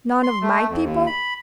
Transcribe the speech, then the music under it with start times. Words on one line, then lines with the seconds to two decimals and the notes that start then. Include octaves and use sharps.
'None of my people?
0.23 C6
0.42 A3
0.70 F2
0.84 D#2
1.06 B5